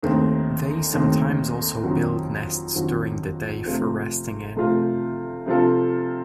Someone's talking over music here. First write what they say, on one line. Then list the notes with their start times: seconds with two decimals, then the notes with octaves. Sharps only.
They sometimes also build nests during the day for resting in.
0.03 D#2 D#3 A3 C4
0.93 D#2 D#3 A3 C4
1.83 F2 D#3 F#3 C4 F#4
2.74 F2 D#3 F#3 C4 F#4
3.65 C3 F3 A3 C4 F4
4.56 C3 F3 A3 C4 F4
5.46 C3 F3 C4 F4 A4